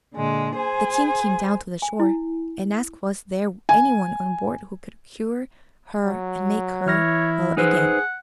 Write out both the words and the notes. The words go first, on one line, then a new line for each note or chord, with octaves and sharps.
The King came down to the shore, and asked was there anyone on board who could cure her and make her well again.
A#2 D3 G#3
G#4 C5 G#5
G#5
E4
G#5
F#3
E3 E4 C#5 F6 A#6
D#4 G#4 B4 C5 F#5